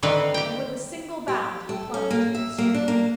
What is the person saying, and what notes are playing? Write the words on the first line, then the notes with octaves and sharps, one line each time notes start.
And with a single bound he plunged into the street.
D3 D#3 G3 C4 B4 F5
G4 G5
G4
A3
C#4
A#3
E5
A#3
D4
A#3